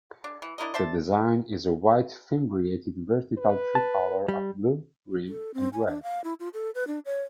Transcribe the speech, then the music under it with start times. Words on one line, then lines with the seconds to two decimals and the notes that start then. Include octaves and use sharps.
The design is a white-fimbriated vertical tricolour of blue, green, and red.
0.24 D4
0.42 E3
0.58 D4 E4 A#4 D#5
0.74 D4 C5 E5 A5
3.38 B4
3.75 A5
4.28 G3
5.28 A4
5.54 C4
5.73 G#5
5.87 D4
6.03 F5
6.24 E4
6.40 F4
6.54 A4
6.75 B4
6.87 D4
7.05 C#5